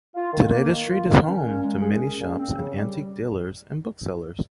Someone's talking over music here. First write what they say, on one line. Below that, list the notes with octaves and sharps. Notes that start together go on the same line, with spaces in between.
Today the street is home to many shops and antique dealers and booksellers.
F4
D#3
A#3
D#3
F4
D#3
C#4
A#2
G#3
G#4
C#4
A#2
C4
C#3
G3